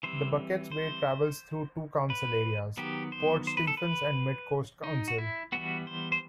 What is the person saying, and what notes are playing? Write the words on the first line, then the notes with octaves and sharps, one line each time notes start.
The Bucketts Way travels through two council areas: Port Stephens and Mid-Coast Council.
E3 G3 C4 C5
C5
B4
D#3 F#3 B3 G4
C5
C5
B4
A4
B4
D#4
F#4
E4
E3 G3 B3 F#4
C5
C5